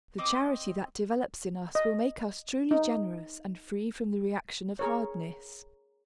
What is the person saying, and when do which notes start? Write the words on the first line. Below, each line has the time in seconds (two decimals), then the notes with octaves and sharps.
The charity that develops in us will make us truly generous and free from the reaction of hardness.
0.18 C4 D#5 D6
1.75 D#5
2.71 D#4
4.79 G#4 A#4 C#5